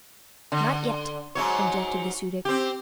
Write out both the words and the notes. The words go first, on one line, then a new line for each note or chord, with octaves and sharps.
"Not yet," objected the Su-dic.
D3
G#2 F#3 C#5
C4 G4